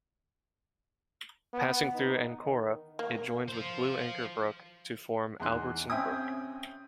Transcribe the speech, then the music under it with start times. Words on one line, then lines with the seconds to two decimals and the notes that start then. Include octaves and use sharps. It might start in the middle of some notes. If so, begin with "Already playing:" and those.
Passing through Ancora, it joins with Blue Anchor Brook to form Albertson Brook.
1.54 B3
1.94 D#4
2.44 D#3
2.99 A#3
3.48 F4 C5
5.40 E2 D#4 C6 F#6
5.90 C4 C#4 E5 G5 G#5 D#6